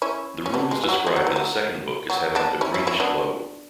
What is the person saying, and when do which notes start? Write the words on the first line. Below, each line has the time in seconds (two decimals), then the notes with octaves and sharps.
The room is described in the second book as having a greenish glow.
0.02 C#4 E4
0.46 C#4
0.54 B3 D4
0.71 G#3
0.84 E3
0.89 F#3
1.07 G#3
1.16 F#3
1.27 E3
1.36 F#3
2.10 F#3
2.35 B3 D4
2.61 C#4 E4
2.74 C#4 E4
2.87 C#4 E4
3.00 B3 D4